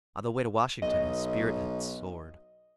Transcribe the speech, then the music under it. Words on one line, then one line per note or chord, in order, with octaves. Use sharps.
On the way to Washington his spirit had soared.
B1 D#5